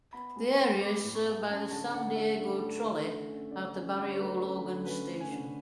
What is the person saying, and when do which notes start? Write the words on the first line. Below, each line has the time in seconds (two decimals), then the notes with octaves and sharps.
The area is served by the San Diego Trolley at the Barrio Logan station.
0.13 B3 B5
0.36 G#3
0.58 B3
0.81 B3 D6
1.04 A2
1.14 C#6
1.25 B3
1.42 G#5
1.48 C#4 A5
1.71 D3 A5
1.94 D3 F#5
2.16 A3 E5
2.39 D3
2.61 A3
2.84 D3
3.06 D3
3.28 C#4
3.51 D3 D5
3.74 C#4
3.97 D3 D5
4.09 C#5
4.19 A3 B4
4.41 C#4
4.64 D3
4.86 C#4 B4
5.09 A3
5.20 G#5
5.31 D3